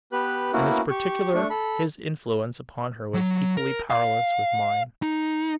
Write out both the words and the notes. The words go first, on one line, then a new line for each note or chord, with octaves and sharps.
In this particular, his influence upon her was equally powerless with mine.
B3 G4 B4 F#6
A#3 B3 C#4 E4 F#4
G4 C#6
A3 D4 C#6
A4 B5
F#3
A#4
F5
D#4